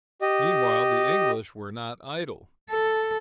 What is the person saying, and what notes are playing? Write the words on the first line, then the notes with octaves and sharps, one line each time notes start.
Meanwhile, the English were not idle.
G4 D#5
A4